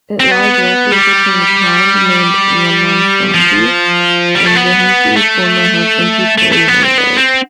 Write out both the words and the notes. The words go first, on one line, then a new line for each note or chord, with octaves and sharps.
It lies roughly between a pond named Lammaslampi and Vihdintie, former Helsinki-Pori main road.
C4
B3
G3
F3
G3
A3
B3
A3
A3
A3
B3
C4
B3
C4